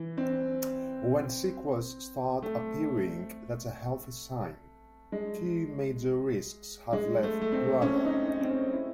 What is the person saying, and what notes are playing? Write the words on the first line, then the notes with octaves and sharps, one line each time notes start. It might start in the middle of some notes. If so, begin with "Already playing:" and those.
'When sequels start appearing, that's a healthy sign... Two major risks have left Brother.
Already playing: E3
C4
A3
G#3
G#3
A3
A3
C4
C#4
D#4
D#4
C4
C#4
E4